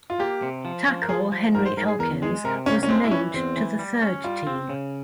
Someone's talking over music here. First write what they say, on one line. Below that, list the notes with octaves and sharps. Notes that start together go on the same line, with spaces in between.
Tackle Henry Elkins was named to the third team.
F4
A#3 G4
C3
F3
F3
A#4
F3 G#4
F3
G#2 A#4
C5
G#2 A#4
G#4
E2 A#4
G#3 G#4
C3 A#4
A#3 C#4
C#4
G#3 C4
E4
E3 C#4
E2 C4
E3
G3
C#4
G3 F4
C4
C#3